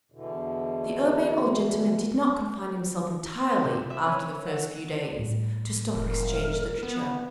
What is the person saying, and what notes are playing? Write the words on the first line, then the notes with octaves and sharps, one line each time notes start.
The Urbane Old Gentleman did not confine himself entirely, after the first few days, to Stock Exchange literature.
E2 B2 D3 E3
C3
E5
C#4
F#5
A2 G3
F1 A#4
B3